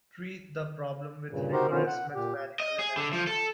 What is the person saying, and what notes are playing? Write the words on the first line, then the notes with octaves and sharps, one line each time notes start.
Treat the problem with rigorous mathematical analysis.
G2 A#2 C#3
C3 D#4 F#4 G4 A#4 C5
B2 D3 F3 B3 C#4 F4
F#5
A#2 G4
D#5
G#4
D3
F3
A4